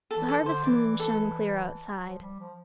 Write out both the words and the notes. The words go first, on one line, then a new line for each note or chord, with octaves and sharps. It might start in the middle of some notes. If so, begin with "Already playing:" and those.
The harvest moon shone clear outside.
A4
E3
A4
D3
C5
E3 D5
A4
F3
G3
F3